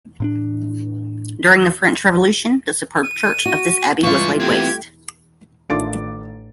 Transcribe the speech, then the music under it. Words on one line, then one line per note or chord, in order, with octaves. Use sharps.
During the French Revolution, the superb church of this abbey was laid waste.
A2 C4 D4
D#7
F#4
G2 E3 G#3 F4 F5 C#6
A3 B3 C4 G4 G#6
A1 D#3 A3 D4 F4 D6 A6 D7